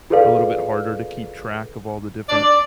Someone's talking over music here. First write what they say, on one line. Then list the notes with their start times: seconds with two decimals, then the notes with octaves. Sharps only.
a little bit harder to keep track of all the different
0.10 F4 G#4 A4 B4 D5 F5
2.29 D5